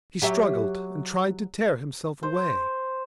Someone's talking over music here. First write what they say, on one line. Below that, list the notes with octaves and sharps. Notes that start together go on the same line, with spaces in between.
He struggled, and tried to tear himself away.
F#3 G4 E5
C5